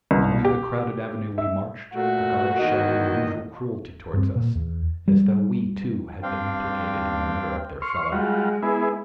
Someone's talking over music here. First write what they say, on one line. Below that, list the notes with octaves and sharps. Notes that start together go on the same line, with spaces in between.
Along the crowded avenue we marched, the guards showing unusual cruelty toward us, as though we, too, had been implicated in the murder of their fellow.
C2
G4
E5
A#2 A3 F#4
E2 D#3 D#5
G2 C4
A#2
E2
G3
G2 C4 D4 F5 G5
C6 C#6 F6
G3 G#3 F4 F#4
B3 E4 G#4